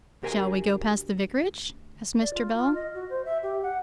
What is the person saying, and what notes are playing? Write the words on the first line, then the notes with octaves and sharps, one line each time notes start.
'Shall we go past the vicarage?' asked Mr. Bell.
D2 G4 A#4 G5 G#5
D5
F4
F4
D#5
F#4
C5
E5
G4
F#5